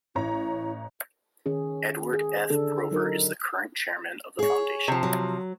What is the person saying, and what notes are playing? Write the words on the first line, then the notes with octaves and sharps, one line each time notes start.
Edward F. Rover is the current chairman of the Foundation.
A1 E4 C#5 A#5
D#3 C#4 G#4
G#4
D3 D4 A4
F#3 D#4 A#4
G#4 C#5
C3 F3
F#3